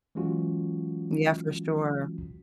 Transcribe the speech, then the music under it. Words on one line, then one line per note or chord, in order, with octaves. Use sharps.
Yeah, for sure.
E3 F#3 G#3 C#4 F4 F#4